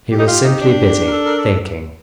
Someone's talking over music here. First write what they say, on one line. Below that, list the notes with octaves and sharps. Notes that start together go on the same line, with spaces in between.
He was simply busy--thinking.
G4
D#4
F4
D#4
D4
A#4
A4
A#4
A4